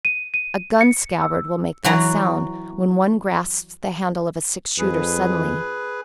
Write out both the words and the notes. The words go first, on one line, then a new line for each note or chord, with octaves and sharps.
A gun- scabbard will make that sound when one grasps the handle of a six- shooter suddenly.
D#7
D#7
C#7
E6
E3 F#3 F#4
F2 G#4 B4